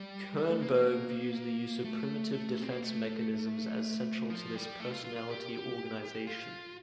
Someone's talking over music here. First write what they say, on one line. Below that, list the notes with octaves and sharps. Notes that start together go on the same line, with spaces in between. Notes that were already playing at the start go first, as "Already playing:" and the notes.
Kernberg views the use of primitive defence mechanisms as central to this personality organization.
Already playing: G3
G3
A3
A#3
A#3
A3
A3
C4
A#3
A3
F3
G3
A3
F4
F4
F4
G4
F4